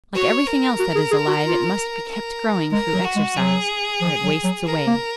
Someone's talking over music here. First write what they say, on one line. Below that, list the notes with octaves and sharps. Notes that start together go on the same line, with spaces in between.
Like everything else that is alive, it must be kept growing through exercise, or it wastes away.
F#4 C#5
A#4
F#4
G#4
G#4
F#4
F4
A#4
G#3 A#4
F#3
F#4
G#3
F#3 G#4
F3
F#3
F#3
A#4
A#3